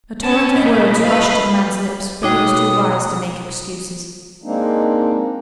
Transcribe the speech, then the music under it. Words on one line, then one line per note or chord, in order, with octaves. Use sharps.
A torrent of words rushed to the man's lips, but he was too wise to make excuses.
C#4 A5
A2 A#3 D#5 B5
B4 F5
B2 D#4 F#4 C#5 G5 D6 D#6
G#3 A#3 C4 D4 D#4